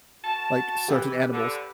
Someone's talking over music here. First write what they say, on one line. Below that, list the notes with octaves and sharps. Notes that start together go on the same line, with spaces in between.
like, certain animals.
F#4 A#4 A5
E3 G4 B4
D3